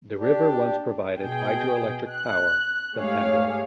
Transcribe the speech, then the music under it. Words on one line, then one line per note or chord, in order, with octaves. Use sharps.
The river once provided hydroelectric power for Pembroke.
D4 G4
B2 G#4 G5
F#6
G#2 A3 G4 G#4 C#5 F5